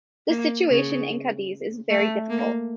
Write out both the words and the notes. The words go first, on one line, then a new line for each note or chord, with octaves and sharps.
The situation in Cadiz is very difficult.
A#3
C#3
A3
A#3